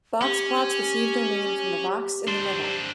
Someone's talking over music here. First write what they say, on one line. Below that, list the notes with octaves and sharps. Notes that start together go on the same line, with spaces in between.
Box plots received their name from the box in the middle.
C#4 G4
D4 C5